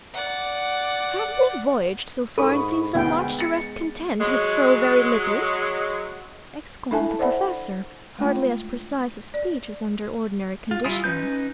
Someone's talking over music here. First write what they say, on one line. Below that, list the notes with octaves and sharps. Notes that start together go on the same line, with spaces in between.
"Have we voyaged so far and seen so much, to rest content with so very little?" exclaimed the professor, hardly as precise of speech as under ordinary conditions.
D5 F#5
G#2 A4 B5 C#6 D#6
D2 G#3 B3 G5
A6 C#7
F#3 G#3
D4 E4 A4 E5 G#5 A5
C5 D5 E5 F#5 B5
G#3 A3 D4 F4
D5
F4
G3 E4 F4 G#5 D#6
C#4 D#4 B4 G6